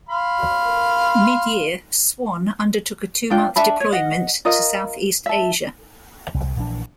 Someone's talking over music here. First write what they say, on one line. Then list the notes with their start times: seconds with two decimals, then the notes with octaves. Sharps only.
Mid-year, "Swan" undertook a two-month deployment to South East Asia.
0.09 F5 B5 C6
3.30 D4 F4 G5
3.56 D4 E5 A5 B5
3.80 C#5
3.92 D#5 F#5
4.45 F4 A#4 D#5
5.26 E5 A5
6.34 C2
6.57 A#1 E3 F3 D4